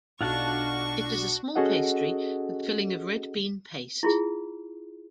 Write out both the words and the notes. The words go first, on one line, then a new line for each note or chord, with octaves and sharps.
It is a small pastry with a filling of red bean paste.
B1 D4 F4 F#4 F#5 A5 C#6
C#4 F#4 G#4 A4 D#5 F#5
E4 F4 G#4